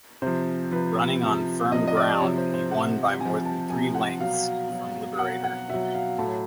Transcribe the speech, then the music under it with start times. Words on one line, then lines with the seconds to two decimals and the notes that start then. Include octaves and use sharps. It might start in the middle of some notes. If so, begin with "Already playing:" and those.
Running on firm ground he won by more than three lengths from Liberator.
0.22 C3 F3 C5
0.71 C3 F3 B4
1.22 C3 F3
1.72 C3 D#5
1.75 F3
1.87 D#5
1.97 D5
2.20 C3 F3 C#5
2.37 C5
2.54 C5
2.70 C3 F3 F#5
3.20 C3 F3 G#5
3.45 A5
3.70 C3 F3 G#5
3.94 F#5
4.19 B2 F#3 F5
4.69 B2 F#3
5.19 B2 F#3 F#5
5.44 F#5
5.69 B2 E5
5.74 F#3
5.94 F5
6.18 A2 F#3 A5